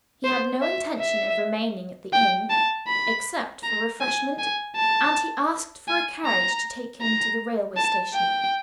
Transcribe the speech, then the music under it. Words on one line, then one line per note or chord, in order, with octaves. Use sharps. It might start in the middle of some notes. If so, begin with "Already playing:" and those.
He had no intention of remaining at the inn, except for refreshment; and he asked for a carriage to take him to the railway station.
C5
E5
E5
G5
A5
B5
A#5
G#5
G#5
A5
G#5
A#5
A#5
A5
G5